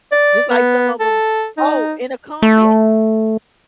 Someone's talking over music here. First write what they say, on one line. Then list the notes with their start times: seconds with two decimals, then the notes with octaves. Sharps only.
just like some of 'em Oh, in a comment,
0.12 D5
0.50 B3
1.00 A4
1.57 D#4
2.42 A3